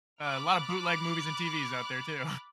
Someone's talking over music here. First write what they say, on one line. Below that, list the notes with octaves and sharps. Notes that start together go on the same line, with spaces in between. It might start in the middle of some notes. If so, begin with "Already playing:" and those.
a lotta bootleg movies and TVs out there too.
B5 D6 F6 F#6 A6